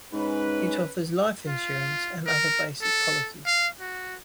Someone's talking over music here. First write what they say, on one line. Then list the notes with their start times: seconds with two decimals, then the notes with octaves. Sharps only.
It offers life insurance and other basic policies.
0.13 G#2 C#4 B4
1.47 F4
2.26 A#4
2.82 A4
3.46 F5
3.80 F#4